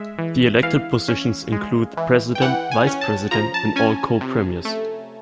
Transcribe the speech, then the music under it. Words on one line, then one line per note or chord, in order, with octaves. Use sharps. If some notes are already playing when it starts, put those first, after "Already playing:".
The elected positions include the President, Vice-President, and all Co-Premiers.
Already playing: G#3 E5
E3
E3 F5
C#4
G#3
E3
G5
E3 F#5
G#5
C#4
A5
F3 A#5
A5
C#4 G#5
C3
A3